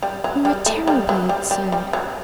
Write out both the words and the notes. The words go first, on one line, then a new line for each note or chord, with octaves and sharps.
We were terribly absurd.
G3
F#3
G3
A3
G3
F#3
G3
G3
G3
F#3